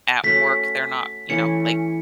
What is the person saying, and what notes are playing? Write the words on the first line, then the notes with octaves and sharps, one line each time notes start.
at work, they're not, you know, like,
A3 C#4 F#4 B6
E3 A3 C#4 C#7